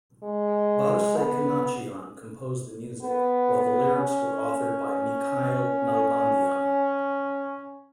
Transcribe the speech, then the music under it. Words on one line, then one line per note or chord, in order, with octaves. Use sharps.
Barsegh Kanachyan composed the music, while the lyrics were authored by Mikael Nalbandian.
G#3
B3
B3
C#4